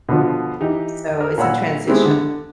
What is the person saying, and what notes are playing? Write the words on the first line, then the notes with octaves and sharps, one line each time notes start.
So, it's a transition,
B2 D3 F3
E3 D#4 G4
A4 A#4
A#2 C#5 F#5 B5 E6
G#3 B3 C4 E4 G4
D3